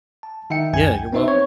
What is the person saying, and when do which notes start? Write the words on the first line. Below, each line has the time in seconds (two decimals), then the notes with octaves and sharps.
Yeah, you're welcome.
0.23 A5
0.50 D#3 D#4 E5 F#5 G5 C#7
0.73 C2 F#2 G#5 G#6
0.92 G5
1.13 B3 C4 D#4 C5 E5
1.26 B4 C#5